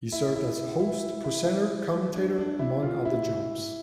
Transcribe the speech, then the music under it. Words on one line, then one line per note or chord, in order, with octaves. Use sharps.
He served as host, presenter, commentator, among other jobs.
E4
E4
E4
E4
D4
D4
E4
F4
E4